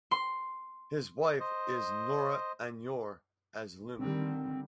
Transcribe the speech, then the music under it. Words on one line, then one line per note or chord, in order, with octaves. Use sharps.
His wife is Nora Aunor as Lumen.
C6
C5 D#5
D3 D#3 G3 C4